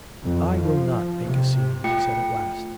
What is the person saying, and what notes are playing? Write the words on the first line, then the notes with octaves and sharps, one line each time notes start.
'I will not make a scene,' he said at last.
F2
F3
C3
A3 F4 G5 C#7